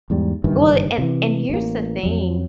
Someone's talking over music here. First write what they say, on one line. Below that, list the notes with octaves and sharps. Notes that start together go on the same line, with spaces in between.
well, and and here's the thing,
E2 G#2 G3
F#1 G2 D#3 E3
C3 E3
A1 A#3
F2 F#3